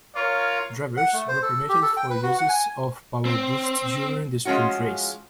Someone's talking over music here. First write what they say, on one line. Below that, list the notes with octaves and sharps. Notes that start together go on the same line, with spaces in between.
Drivers were permitted four uses of PowerBoost during the Sprint Race.
F4 A#4 C#5
F#5
A3
C5
A4
G4
A4
G5
B4
F#4
F#5
G#5
C4
F3 G#3 C4 C#4 F4 F#4